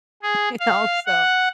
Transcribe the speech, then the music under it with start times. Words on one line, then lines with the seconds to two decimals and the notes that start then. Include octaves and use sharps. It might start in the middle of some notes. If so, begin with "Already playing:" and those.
You know? So,
0.23 G#4
0.60 F5
1.06 F#5